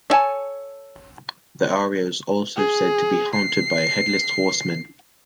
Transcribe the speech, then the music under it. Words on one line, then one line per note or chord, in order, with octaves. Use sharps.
The area is also said to be haunted by a headless horseman.
D4 A4 C#5 G#5 A5
G#4
C7